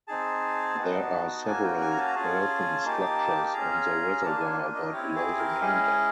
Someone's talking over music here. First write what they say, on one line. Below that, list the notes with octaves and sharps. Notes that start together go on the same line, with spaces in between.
There are several earthen structures on the reservoir about below the main dam.
C4 D#4 G#4 A5
B3 D#4 F#4
A#3 C#4 F#4 G#5
G5
G#5
A#5
A5
A#5
C#4 F4 G#4 A5
A#3 D#4 G4
C#4 F4 G#4 A#5
A#3 D4 F4 A5
G#5
D#5
C4 E4 G4 C#5
G#4
A#4
G#3 C#4 E4 G#4 D#5